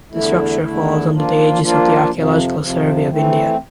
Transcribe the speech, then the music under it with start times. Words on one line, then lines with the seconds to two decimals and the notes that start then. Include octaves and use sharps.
The structure falls under the aegis of the Archaeological Survey of India.
0.11 E2 D3 A3 E4
0.60 E2 D3 A3 E4
1.10 F3 A#3 D4 F4
1.60 F3 A#3 D4 F4
2.10 F2 C3 F3
2.59 F2 C3 F3
3.08 E3 A3 C4